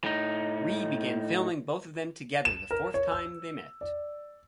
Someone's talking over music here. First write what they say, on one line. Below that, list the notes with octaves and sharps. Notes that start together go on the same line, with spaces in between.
Ree began filming both of them together the fourth time they met.
A2 D#4
E7
A#4
C#5
E6
D5